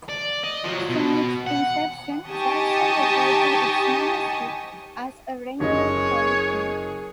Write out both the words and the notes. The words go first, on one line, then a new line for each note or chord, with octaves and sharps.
From its inception, Jackson referred to its membership as a Rainbow Coalition.
D5
D#5
F3 F#3
B2
F#5
D#4 G4 G#5 A5 C#6 D#6
F#1 G#4 C#5 D#5